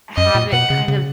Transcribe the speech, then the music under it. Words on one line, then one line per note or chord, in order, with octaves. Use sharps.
Have it, kind of
F#2 D#5
A#2
B2 F#5
C#3
C#3